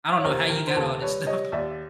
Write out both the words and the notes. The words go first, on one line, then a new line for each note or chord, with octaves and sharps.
I don't know how you got all this stuff
C#5
D#2 A#4 C5
D#3 A#4
C5
D#2 A4 B4
G3 B4 C#5
G3 C#5 D#5
D#2 D5 E5